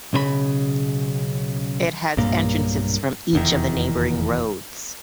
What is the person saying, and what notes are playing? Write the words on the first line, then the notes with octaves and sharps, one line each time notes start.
It has entrances from each of the neighbouring roads.
B1 C#3 A#4 B5
B1 G2 A#2 A#3
F1 E2 D#3